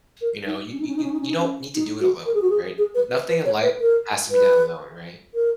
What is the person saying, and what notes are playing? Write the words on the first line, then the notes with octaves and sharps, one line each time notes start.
you know, you you you don't need to do it alone, right? N nothing in life has to be done alone, right?
A#4
D#4
C#4
D#4
C#4
D#4
C#4
D#4
C#4
D#4
C#4
D#4
F#4
A#4
G#4
F#4
G#4
G#4
B4
B4
B4
C#5
B4
A#4
B4
A#4